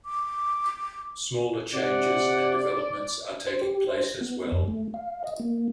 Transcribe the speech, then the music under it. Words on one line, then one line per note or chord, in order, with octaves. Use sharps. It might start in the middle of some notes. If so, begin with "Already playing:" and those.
Smaller changes and developments are taking place as well.
D6
C3 D5 F#5
C5
G4
C5
A#6
B3
F2
A3
F5
D#5
A#3